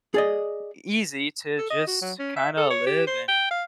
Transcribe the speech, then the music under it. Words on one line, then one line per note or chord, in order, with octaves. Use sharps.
easy to just kinda live and
G#4 D5 D#5
A4
D#5
F#4
F#3
C#4
E5
A4
C#5
G4
C5
G5
F5